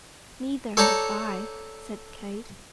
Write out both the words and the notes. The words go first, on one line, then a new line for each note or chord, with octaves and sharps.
"Neither have I," said Kate.
A4 C#5 D5 G5 A5 A#5